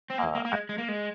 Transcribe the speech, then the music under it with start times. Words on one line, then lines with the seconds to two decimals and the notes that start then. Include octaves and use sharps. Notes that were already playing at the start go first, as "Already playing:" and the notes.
Uh, I
0.10 C4
0.18 A#3
0.35 A#3
0.45 A#3
0.52 G#3
0.69 G#3
0.78 A#3
0.88 G#3